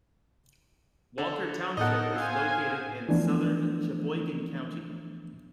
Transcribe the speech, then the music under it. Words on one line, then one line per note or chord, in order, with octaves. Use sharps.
Walker Township is located in southern Cheboygan County.
D3
A2 B3 D#4 A4 A#4 D#5 F#5
C5 F5 G#5 E6
E3 F3 A3 B3 D4